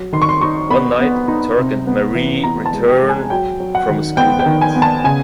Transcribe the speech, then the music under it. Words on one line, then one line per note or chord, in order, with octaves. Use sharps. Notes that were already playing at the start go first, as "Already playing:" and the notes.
One night, Turk and Marie return from a school dance.
Already playing: F#3
D#3 C6
C#6
C6
D#4 C#6
B3 B5
B3
D#4
C3
B3
E3
B3 A#5
A5
G#3
G5
G#3
G#5
F#3 G5
F#3
F#5
D#3
B3 G5
G5
D#3
G#5
B3
A5
C#3 G#5